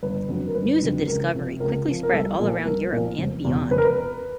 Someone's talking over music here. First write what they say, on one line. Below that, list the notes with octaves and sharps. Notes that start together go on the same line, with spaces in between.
News of the discovery quickly spread all around Europe and beyond.
G1 B4
F2 D3 F#3
A#4
G1 B4
F2 D3 F#3
C#2 A#4
C3 F3
C#2 A#4
C3 F3
A#4
C2 A4
A#2 F3
C2 A#4
A#2 F3
F1
E2 B2
F1 B4
A#4
B4